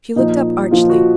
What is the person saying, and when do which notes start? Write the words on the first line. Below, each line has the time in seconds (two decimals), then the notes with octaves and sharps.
She looked up archly.
0.16 A#2 F3 D#4
0.71 A#2 F3 F4
0.90 F#4